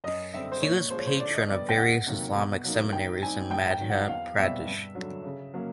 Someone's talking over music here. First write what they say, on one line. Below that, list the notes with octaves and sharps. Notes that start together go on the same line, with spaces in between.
He was patron of various Islamic seminaries in Madhya Pradesh.
F#2 D#5
D3 G3 C4 E5
C5
A#2 C#5
F3 G#3 C5
C#5
C5
D3 D5
D#5
G3 B3 D5
G5
E2 F#5
C3 D#3 F#3 A#3
B2
F#3 A#3 D#4
D#3 G5
G3 C4 D#4 G#5
G#2 G5
G5
D#3 F#3
F#5
E2 F5
B2 G3 C4 E5
G2
D3 F#3
C#3
F#3 A#3 C#4